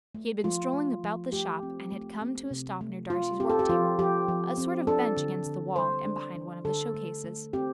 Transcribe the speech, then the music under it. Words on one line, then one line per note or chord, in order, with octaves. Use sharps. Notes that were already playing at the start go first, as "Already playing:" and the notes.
He had been strolling about the shop, and had come to a stop near Darcy's work table--a sort of bench against the wall, and behind one of the showcases.
A3
F3 F4
A3
F3
A3 G4
C4
A3
C4
C3
A3
F4
C4 G4
A4
G4
F3 F4
F3 G4
F3
C4
D4 A4
D3
D3
G3 C5
D4
D4
D3 A4
A3
A3
C4 G4